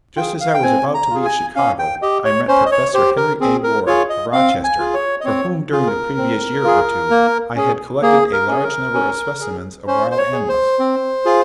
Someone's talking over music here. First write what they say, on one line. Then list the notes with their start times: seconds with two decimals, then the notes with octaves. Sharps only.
Just as I was about to leave Chicago I met Professor Henry A. Ward, of Rochester, for whom during the previous year or two I had collected a large number of specimens of wild animals.
0.17 F4 G#4 G5
0.40 F5
0.54 G5
0.63 C4 G#5
0.94 A#5
1.10 F4 G#4
1.25 G#5
1.56 C#4 F5
1.79 G5
2.02 G4 D#5
2.25 C#5
2.48 C#4 C5
2.66 D#5
2.72 C#5
2.94 G4 C5
3.17 A#4
3.40 C4 G#4
3.63 A#4
3.86 F4 G#4 C#5
4.10 D#5
4.32 C4 F5
4.64 G#5
4.79 F4 G#4
4.94 C#5
5.20 D#5
5.25 C4 C#5
5.72 F4 G#4
5.87 A#4
6.17 C4
6.64 F4 G#4
7.10 A#3
7.56 C#4 G#4
8.02 A#3 G#4
8.33 A#4
8.48 C#4 G#4
8.64 A#4
8.94 C#4
9.41 G#4
9.87 C#4 C5
10.11 C5
10.18 C#5
10.33 G#4
10.48 C5
10.79 C4
11.25 F4 G#4